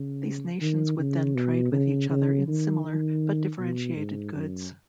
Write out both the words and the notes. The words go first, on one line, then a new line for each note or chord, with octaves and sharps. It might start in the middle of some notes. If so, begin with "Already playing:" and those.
These nations would then trade with each other in similar, but differentiated goods.
Already playing: C#3
D#3
C#3
B2
C#3
C#3
D#3
D#3
B2
G#2
F#2